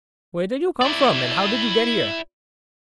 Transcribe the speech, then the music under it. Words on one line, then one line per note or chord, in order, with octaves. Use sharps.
"Where did you come from and how did you get here?"
E4 D5